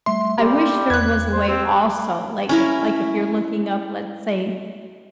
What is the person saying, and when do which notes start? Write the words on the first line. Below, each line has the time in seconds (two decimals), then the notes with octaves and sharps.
I wish there was a way also. Like, if like, if you looking up, let's say
0.06 G3 A3 E5 C6
0.39 G3 G4
0.90 E2 F#6 G#6
1.33 C5
1.48 C4 G4 C6
2.49 C#4 E4 A#4